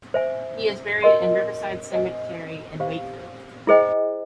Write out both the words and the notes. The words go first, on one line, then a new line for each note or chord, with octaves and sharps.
He is buried in Riverside Cemetery, in Wakefield.
C5 E5 G#5
F#4 A#4 D#5 G#5 C6
C5 D#5 G#5
G4 C5 F5
E4 G#4 C5 D#5 G5